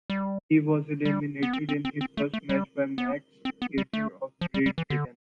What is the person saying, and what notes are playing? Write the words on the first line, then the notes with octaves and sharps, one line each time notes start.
He was eliminated in his first match by Max Cater of Great Britain.
G3
G3
B3
C4
C4
C4
C4
A3
A3
G3
B3
C4
B3
G3
A3
F3
G3
G3
E3
D3